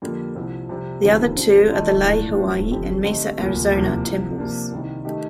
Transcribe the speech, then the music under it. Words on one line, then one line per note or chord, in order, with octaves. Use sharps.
The other two are the Laie Hawaii and Mesa Arizona temples.
F2 D3 G3 A#3
C2 C3 F3 C4 G4
F2 C3 G3 C4
D#2 D3 F3 C4 G4
D3 F3 C4
D3 F3 A3 D#4
A2 A3 D4 F4
G2 F3 A3 C4
F2 D3 G3 C4 G4
D3 A3 C4 D#4 G4
D2 C3 F3 A#3 F4
C2 C3 F3 A#3
C2 C3 F3
C3 F3 A#3 D4
C2 C3 D#3 G3
D#3 A3 D#4 G4